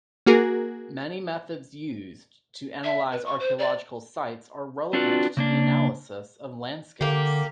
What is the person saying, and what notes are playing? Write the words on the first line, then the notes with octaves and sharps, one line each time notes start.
Many methods used to analyze archaeological sites are relevant to the analysis of landscapes.
A#3 F#4 G#4 A#4
E5
B4
C#6
C5
D5
C4 D4 F4 F#4 B4
C#3 A#3 D4
D3 A#3 G4